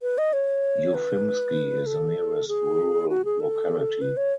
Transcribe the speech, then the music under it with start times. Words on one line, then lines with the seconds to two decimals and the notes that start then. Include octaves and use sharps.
Ufimsky is the nearest rural locality.
0.02 B4
0.18 D#5
0.33 C#5
0.94 B4
1.86 A4
2.48 G#4
3.09 F#4
3.25 G#4
3.40 A4
4.01 B4
4.17 C#5